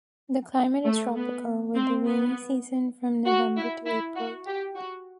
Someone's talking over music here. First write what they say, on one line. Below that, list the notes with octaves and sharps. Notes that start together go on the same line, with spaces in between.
The climate is tropical, with a rainy season from November to April.
A3
B3
C4
B3
F#4
E4
E4
F#4
G4
F#4